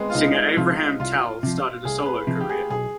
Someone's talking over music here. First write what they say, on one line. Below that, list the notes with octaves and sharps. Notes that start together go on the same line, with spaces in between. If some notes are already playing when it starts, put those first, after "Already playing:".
Singer Avraham Tal started a solo career.
Already playing: G#3 B3 C4
F4
C2 D#4
C3 F3 F4
C2 F4
C3 F3
C2 G#4
B4
C3 F3
G4
G#4
B1 G#4